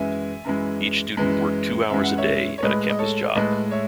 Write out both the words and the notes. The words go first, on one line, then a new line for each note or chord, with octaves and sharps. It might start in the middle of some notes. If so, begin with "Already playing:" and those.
Each student worked two hours a day at a campus job.
Already playing: F#2 E3 G#3 E5 G#5
F#2 E3 G#3
F#2 E3 G#3
F#2 E3 G#3 E5
F#5
C#5 E5
C#5
A2 G#3 B4 D#5
D#5
A4 C#5
A2 G#3 B4 D#5
C#5 E5